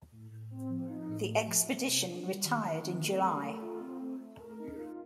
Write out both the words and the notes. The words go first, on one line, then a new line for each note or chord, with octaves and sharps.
The expedition retired in July.
A2
A2
C4
F3
D#4
A2
A3
F3
C3
C3
D4
G3
D#3
D#3
C4
A3
A#4
A3
F4
C4
A3
A3
A#4
D#4
F4